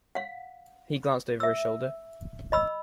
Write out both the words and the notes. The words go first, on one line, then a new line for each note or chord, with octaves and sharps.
He glanced over his shoulder.
F5 F#5
E5 E6
D#5 B5 E6